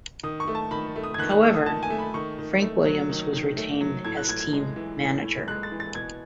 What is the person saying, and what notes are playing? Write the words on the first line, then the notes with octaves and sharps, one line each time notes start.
However, Frank Williams was retained as team manager.
D#3 D#6
C#6
A3
A5
D#3 B5
A3
D#6
G#6
D#3 F#6
F#6
A3 E6
D#6
D#3 A5
G#5
A3
B5
D#3 C#6
D#3
A3
F#3
D#3
D#3
A3
F#3
A2 G#6
F#6
A2 G#6
G#6
G#3
E3
A2
A2
G#3 F#6
A6
E3
A6
B2 G#6